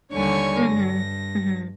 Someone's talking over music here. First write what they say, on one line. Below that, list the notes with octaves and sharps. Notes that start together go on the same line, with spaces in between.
Mhm. Mhm.
D#2 D3 G3 C#5 G#5 C#6
G2 A#6